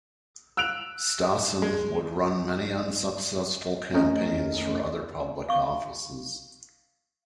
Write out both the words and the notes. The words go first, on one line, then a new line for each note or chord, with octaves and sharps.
Stassen would run many unsuccessful campaigns for other public offices.
E6 F#6 D7 F7
G#3
F2 A3 C#4 A#4 D#5
F5 C#6